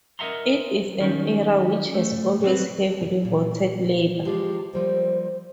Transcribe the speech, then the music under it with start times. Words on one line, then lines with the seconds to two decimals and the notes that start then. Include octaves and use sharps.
It is an area which has always heavily voted Labor.
0.19 A#4 D#5 E5 F#5 A#5 C6
1.00 D#3 G3 C#4
1.94 A3
2.44 F#3 C4 B4
3.25 A#2
4.25 F3 G#3 F4 G4
4.73 F3 G3 A#3 C5